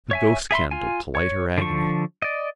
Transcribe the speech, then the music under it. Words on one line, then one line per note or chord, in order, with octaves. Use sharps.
The ghostcandle to light her agony.
C#5 E5 G#5
G#4 E5 B5 C6
F4 G#5
C#5
D3 F3 C#6
D5 D#5